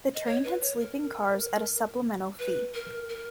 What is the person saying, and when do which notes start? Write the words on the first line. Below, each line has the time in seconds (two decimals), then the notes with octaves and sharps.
The train had sleeping cars at a supplemental fee.
0.14 D#5
0.26 C#5
0.44 B4
0.61 C#5
0.80 A#4
2.39 B4
2.74 A#4
3.09 A#4